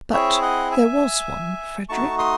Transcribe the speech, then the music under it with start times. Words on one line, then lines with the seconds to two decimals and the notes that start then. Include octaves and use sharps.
"But there was one, Frederic?"
0.13 C4 E4 G#4 C#5 E5
0.42 D#5 F#5
0.71 E5 G#5
1.89 A3 D#4 F#4 A5 C#6
2.18 C6 D#6